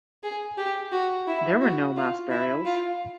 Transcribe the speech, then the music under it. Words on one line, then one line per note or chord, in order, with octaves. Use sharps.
There were no mass burials.
G#4
G4
F#4
E4
F#4
F4
E4
F4